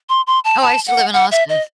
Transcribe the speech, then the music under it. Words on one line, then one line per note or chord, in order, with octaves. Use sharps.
Oh, I used to live in Austin.
C6
C6
A5
A5
F#5
F#5
E5
D#5